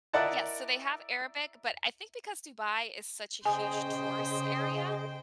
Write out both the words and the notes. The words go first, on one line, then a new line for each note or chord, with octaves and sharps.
Yes, so they have Arabic, but I think because Dubai is such a huge tourist area,
E4 A#4 D5 D#5 F#5 A5
C#3 G#4 C5 D#5 G5 G#5